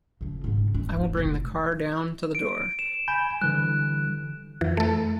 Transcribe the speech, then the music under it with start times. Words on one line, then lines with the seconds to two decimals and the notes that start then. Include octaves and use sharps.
I will bring the car down to the door.
0.21 C#3 F3
0.44 G#2 C#3
0.74 D4
0.97 E3 D#4
1.15 F1 B1
2.35 D7
2.79 E7
3.08 G#5 B5 G6
3.42 D3 E3 G3 F#6
4.61 F2 E3
4.77 A3 A4